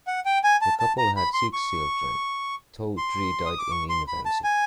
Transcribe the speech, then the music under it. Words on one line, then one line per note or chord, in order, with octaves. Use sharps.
The couple had six children, though three died in infancy.
F#5
G5
G#5
A5
A5
A#5
B5
C6
C#6
C6
D#6
D6
C#6
C6
B5
A5
G#5